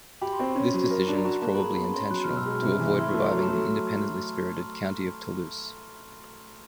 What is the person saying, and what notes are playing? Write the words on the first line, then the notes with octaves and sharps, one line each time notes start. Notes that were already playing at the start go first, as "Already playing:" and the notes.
This decision was probably intentional, to avoid reviving the independently spirited County of Toulouse.
G4 B5
C6
C4 C#6
C#4
F#3
A#4
D4
A#5
F#4 A5
A#3 A5
B5
G#4 A#5
B3 B5
C#4 C6
F#3 F#6
B2 F6
E6
G#3 F6
C3
E3
E4 C6
C#6
A3
C6
F#3 A#5
A5
A3